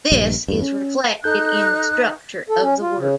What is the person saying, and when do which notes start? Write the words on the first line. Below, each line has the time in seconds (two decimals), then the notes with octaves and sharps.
This is reflected in the structure of the work.
0.12 A#1 G2
0.48 E2 G2
0.62 C#4
1.24 D#4 A4 F#6 G6
2.49 A4
2.63 C#4
2.81 F4
2.98 C#3